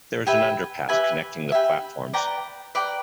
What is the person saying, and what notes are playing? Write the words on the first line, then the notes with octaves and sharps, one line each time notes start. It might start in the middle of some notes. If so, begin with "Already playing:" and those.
There is an underpass connecting the platforms.
G4 B4 E5 G#5
G4 B4 E5 G#5
G4 B4 E5 G#5
B4 D5 G5 A#5
B4 D5 G5 A#5